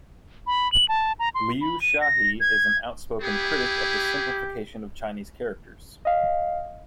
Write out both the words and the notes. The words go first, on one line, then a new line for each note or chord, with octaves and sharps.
Liu Shahe is an outspoken critic of the simplification of Chinese characters.
B5
F#7
A5
A#5
C6
B5
D#7
A#6
G#6
B3 E4 G4 G#4
D#5 F5